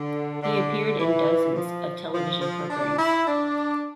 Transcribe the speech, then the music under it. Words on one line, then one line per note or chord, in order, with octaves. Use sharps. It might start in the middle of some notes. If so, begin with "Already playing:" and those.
He appeared in dozens of television programs.
Already playing: D3
D3
E3
F3
F3
F3
D4
E4
D4